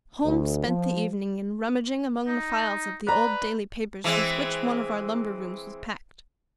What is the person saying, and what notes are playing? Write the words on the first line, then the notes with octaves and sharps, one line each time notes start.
Holmes spent the evening in rummaging among the files of the old daily papers with which one of our lumber-rooms was packed.
D2
F3
D#4
B4 D5 A#5
E3 G#3 C4